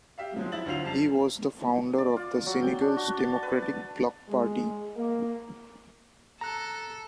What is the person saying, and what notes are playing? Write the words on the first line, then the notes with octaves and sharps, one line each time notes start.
He was the founder of the Senegalese Democratic Bloc party.
G4 E5 F5
F3 F#3 G#3 C4
E4 E5 A6 F#7
D2 F#3 C4 F4 C7 F7
F#2 G3 A5 C7 F7
D5
F4
F#3
G5
D4
F#4
A5
B4
A5
G#3
A#3
A4 A#5 F#6